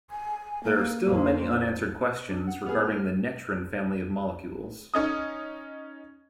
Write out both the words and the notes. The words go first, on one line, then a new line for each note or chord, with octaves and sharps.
There are still many unanswered questions regarding the netrin family of molecules.
G#5
A#3
F2
D4
F#5
B3 G#4 F6
C#4 D#4 D#6